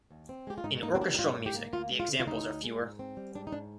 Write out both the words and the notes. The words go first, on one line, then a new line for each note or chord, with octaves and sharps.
In orchestral music the examples are fewer.
D#2
C4
G#3 G4
F4
G#2 D#4
A#3 D#4
C4
G3 D4
D#4
G#2 F4
G#2
G4
A#3
D2 F4
G#3
F4
D3
F4
D2 D#4
D2
G#3
G#2
C4
G3
G#2 D4
D#4
G#2 D4